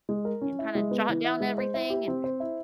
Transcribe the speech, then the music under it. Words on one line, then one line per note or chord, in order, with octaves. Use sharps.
and kinda jot down everything and,
G#3
A#4
C#4
E4
G#3
B3
E3
E4
G#3
C5
E4
G4
C4
C5
E4